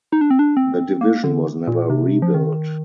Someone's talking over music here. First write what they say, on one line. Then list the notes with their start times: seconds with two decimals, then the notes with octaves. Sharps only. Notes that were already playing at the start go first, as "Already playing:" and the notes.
The division was never rebuilt.
0.13 D#4
0.21 D4
0.31 C4
0.39 D4
0.57 C4
1.01 A#3
1.24 D3
1.67 A#2
1.90 C3
2.22 F3
2.34 D#3